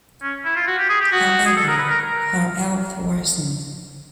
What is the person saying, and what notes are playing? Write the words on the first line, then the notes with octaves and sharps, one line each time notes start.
However, her health worsened.
C#4
E4
F4
F#4
G4
G#4
G4
F#4
G#4
A4
A#4
B4
A#4
A#4